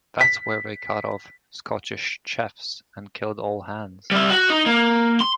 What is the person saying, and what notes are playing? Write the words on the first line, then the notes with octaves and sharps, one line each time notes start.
That's where they cut off the Scottish Chiefs and killed all hands.
B6
G3 E5
F#4 F#5
D#4
A#3
C6